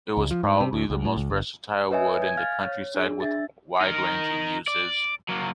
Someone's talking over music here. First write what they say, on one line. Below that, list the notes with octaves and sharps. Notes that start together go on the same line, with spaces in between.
It was probably the most versatile wood in the countryside with wide-ranging uses.
C#2
F3
G#2
C3
D2
C#2
A2
C#2
G1
B4 C#5 D#5 E5 G#5
G#5 G6 G#6
F5 F6 G6 A6
C#5
D4 G#4
D4 E5 A6
D#4 A#4
D5
F#3 A#3